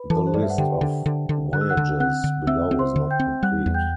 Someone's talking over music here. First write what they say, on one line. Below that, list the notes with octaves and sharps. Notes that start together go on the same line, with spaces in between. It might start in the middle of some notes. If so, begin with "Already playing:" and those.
The list of voyages below is not complete.
Already playing: B4 B5
E3 A4 A5
C5
G2 D5
E5
F#5
D3 G4 G5
D3
D3
D3
D3 F#6
E6
F#5 F#6
D3
C4 F#5 F#6
D3
C4 E5 E6
C4
C5 C6
D3
G5 G6
C4
G3 F#5 F#6
E2
G5 G6